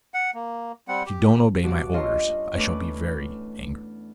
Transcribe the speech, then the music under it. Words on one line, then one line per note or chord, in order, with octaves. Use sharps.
If you don't obey my orders I shall be very angry.'
F#5
A#3
G3 C4 F#5
G4
G2 B2 F#4 D6
C#4 D4 F4 C#5 D#5 C6
E2 A3 C#4 D4 B4 D6